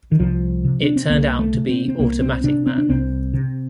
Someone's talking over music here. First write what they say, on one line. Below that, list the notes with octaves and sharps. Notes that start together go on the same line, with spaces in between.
It turned out to be "Automatic Man".
D#3
C2 F3
C3
D4
C4
C2 A#3
A3
C3
C4
C4
C2 A#3
C4
C3 D4
C4
D4
C2 C4
C3